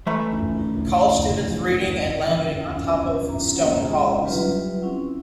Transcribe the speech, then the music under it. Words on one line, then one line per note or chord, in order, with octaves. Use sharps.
College students reading and lounging on top of stone columns.
E3 A3 B4 E5 A#5
E5
A#5
A#3 B3 G4 C5 C#5 F#5
G#3 G#4 F#5 A#5
F#3 G3 F4 G4 B4 E5
C4 C#4 E4 F#5